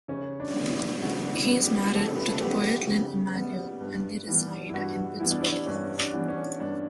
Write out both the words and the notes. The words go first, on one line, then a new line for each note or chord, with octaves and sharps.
He is married to the poet Lynn Emanuel and they reside in Pittsburgh.
C#3 C#4
D4
G3 B3
E4
C#3 F#4
D4
E4
G3 B3
G4
C#3 A4
B4
A4
G3 B3 G4
C#3
G3 B3
G2
E3 G3 B3
E4
G2 F#4
E3 G3 B3 E4
D4
E4
G2 C#4
D4
E3 G3 B3
C#4
G2 D4